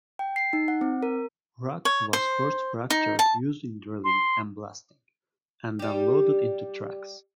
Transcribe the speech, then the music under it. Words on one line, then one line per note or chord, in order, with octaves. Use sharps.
Rock was first fractured using drilling and blasting, and then loaded into trucks.
G5
C7
D#4
F#5
C4
A#4
C#5
C5
D#4
A5
C6
G3 G4